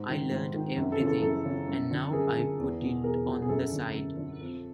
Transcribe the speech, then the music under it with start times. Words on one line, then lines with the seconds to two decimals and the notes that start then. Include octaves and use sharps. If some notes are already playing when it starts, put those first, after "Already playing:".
I learnt everything, and now I've put it on the side.
Already playing: G#2
0.08 D#3
0.31 G#2
0.54 D#3
0.76 F#2
0.92 A4
0.99 C#3 E3
1.07 A4
1.22 F#2 A4
1.45 C#3 E3
1.68 F#2
1.91 D3
2.13 F#2 G#4 A#4
2.36 D3
2.59 E2
2.82 B2
3.03 E2 G#4 A#4
3.26 B2
3.42 G#4
3.49 F#2 A4
3.72 D3
3.95 F#2
4.17 D3
4.40 F2